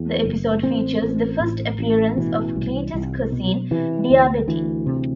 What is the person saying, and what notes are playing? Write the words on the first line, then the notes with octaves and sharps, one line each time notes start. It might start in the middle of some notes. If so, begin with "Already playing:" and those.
The episode features the first appearance of Cletus' cousin Dia-Betty.
Already playing: E2
F#1
A1 C4
A1
A2
A1
B2 E3
C2
C2
B2
C3 E3
D2
D2 E3
C3